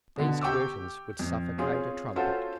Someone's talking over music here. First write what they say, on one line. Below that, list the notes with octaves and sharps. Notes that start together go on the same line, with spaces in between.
These curtains would suffocate a trumpet.
B2 D3
G4 G5 C#6 D6 E6
F2
C4 C#4 F4 G#4
C#4 F4 F#4 A4 C5